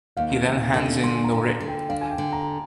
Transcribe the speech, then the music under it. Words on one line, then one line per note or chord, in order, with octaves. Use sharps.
He then hands in the writ.
D#2 F5
D#2
D3 G#5
D4 C6
G#5
A#5
D3
D3
G5
D4 F5
G#5
G5
D3
A#5